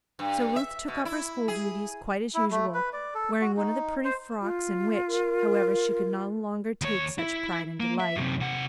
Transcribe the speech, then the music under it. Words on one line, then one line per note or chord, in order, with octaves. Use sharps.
So Ruth took up her school duties quite as usual, wearing one of the pretty frocks in which, however, she could no longer take such pride and delight.
G2
E5
B2
E4
G#4
E4
A3
B4
D5
A4
F#4
D#4
C5
F4
A#4
D#2 C#5
E4
A#3
E5
F#2 C3
C3 F#5